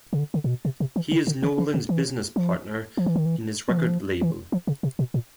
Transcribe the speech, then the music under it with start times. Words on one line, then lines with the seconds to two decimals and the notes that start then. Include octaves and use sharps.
He is Nolan's business partner in his record label.
0.13 C#3
0.19 D3
0.34 D3
0.44 A#2
0.49 B2
0.65 C3
0.80 C3
0.96 E3
1.11 D3
1.27 D3
1.42 D#3
1.58 E3
1.74 D3
1.89 E3
2.36 F3
2.97 F3
3.06 E3
3.16 D#3
3.26 E3
3.68 F3
3.78 E3
3.88 F3
4.21 E3
4.52 F3
4.67 C#3
4.83 C3
4.99 B2
5.14 A#2